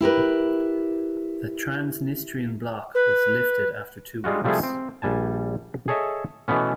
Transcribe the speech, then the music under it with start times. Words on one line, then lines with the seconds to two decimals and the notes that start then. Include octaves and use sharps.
The Transnistrian block was lifted after two weeks.
0.01 E4 G4 A#4 B4
2.94 B4
4.24 G3 G#3 F4 F#4
4.44 C3 F3 G3 A3 E4 G#4
4.63 C4
5.02 A#1 G3 G#5 A5
5.88 G#4 A4 C#5 D#5 E5
6.48 B2 E3 A3 B3 C#4